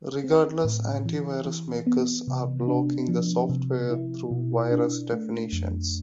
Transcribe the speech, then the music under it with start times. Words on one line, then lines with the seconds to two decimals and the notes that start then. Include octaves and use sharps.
Regardless, anti-virus makers are blocking the software through virus definitions.
0.24 C4
0.65 A2
1.06 E3
1.46 E3
1.87 B3
2.28 C3
2.68 D4
3.08 F3
3.49 C3
3.90 E4
4.31 B2
4.72 D4
5.12 A3
5.53 F2